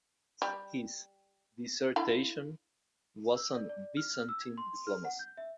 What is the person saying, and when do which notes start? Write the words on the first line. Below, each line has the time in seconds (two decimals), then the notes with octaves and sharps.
His dissertation was on Byzantine diplomacy.
0.42 G3
1.96 D3 E4 F5
3.36 E6
3.55 D5
3.69 D5
3.97 F6
4.13 F6
4.29 E6
4.41 G#6
4.58 C6
4.87 F6
5.05 F#5
5.19 G6
5.37 E5